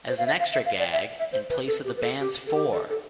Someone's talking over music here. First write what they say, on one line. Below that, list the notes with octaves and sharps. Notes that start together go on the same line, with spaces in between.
As an extra gag, in place of the band's Fore!
C5
F5
E5
F5
E5
F5
D5
E5
E5
C5
B4
A4
G4
B4
A4
G4
A4
G4
A4
A4